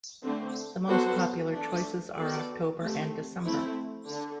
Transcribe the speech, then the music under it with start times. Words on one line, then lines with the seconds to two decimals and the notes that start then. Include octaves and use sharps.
The most popular choices are October and December.
0.23 D3 A3 C4
0.87 F#3 B3 F#4 A4 C5
1.52 A3 D4 A4
2.17 B3 F#4 A4 D5
2.81 A3 C4 G4
3.45 A3 C4 E4
4.10 D3